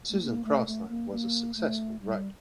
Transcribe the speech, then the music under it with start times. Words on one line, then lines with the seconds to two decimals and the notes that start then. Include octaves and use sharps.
Susan Crosland was a successful writer.
0.10 A3
0.22 A#3
0.45 A3
0.67 A3
0.89 A#3
1.11 A#3
1.56 A3
2.01 G3